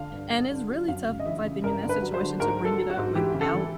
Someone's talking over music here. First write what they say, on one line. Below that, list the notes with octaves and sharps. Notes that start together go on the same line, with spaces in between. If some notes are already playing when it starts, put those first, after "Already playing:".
and it's really tough, I think, in that situation to bring it up without,
Already playing: D3 F5
G2
D3
D3
F#3
F#2 F5
C#3
D#5
E3 E5
C#3
G2 A#4
D3
B4
F#3
C5
D3
G#2 A#4
F#3
A4
F#3
F#4
G#2
E3 G4
C#3
A4
E3